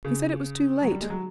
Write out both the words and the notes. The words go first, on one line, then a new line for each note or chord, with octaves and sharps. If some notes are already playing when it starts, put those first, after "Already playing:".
He said it was too late.
C#3
F#3
G3
G#3
F#3